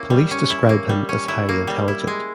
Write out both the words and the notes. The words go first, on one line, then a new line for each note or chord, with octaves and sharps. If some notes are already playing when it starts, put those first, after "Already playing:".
Police describe him as highly intelligent.
Already playing: A#3 C#4 E4
G3
C#4
E4
A#3
G3
C#4
E4
A#3
G3
E4
G#3